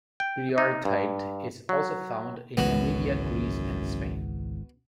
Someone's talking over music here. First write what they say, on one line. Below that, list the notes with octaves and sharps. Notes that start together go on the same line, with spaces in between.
Briartite is also found in Namibia, Greece, and Spain.
G5
D#4
G2
F#3
G#1 C#2 F#2 E3 G#3 B3 F#4